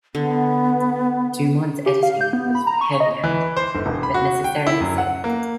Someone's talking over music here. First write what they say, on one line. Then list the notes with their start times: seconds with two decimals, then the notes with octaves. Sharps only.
Dumont's editing was heavy-handed, but necessarily so.
0.15 D3 B3
1.86 G4
2.03 F5
2.21 G6
2.33 B3
2.55 B5
2.67 A#5
2.81 C#6
3.00 D#5
3.24 E3
3.57 C5
3.75 G1
3.86 E1
4.03 B5
4.14 F#4
4.44 G5
4.67 E4
4.80 F#2
4.98 F#5
5.24 A#3